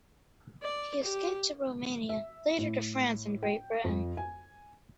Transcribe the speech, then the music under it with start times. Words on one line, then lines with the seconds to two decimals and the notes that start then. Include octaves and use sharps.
He escaped to Romania, later to France and Great Britain.
0.63 D5
1.04 G4
2.09 E5
2.58 A2
3.43 G5
3.84 F2
4.17 G#5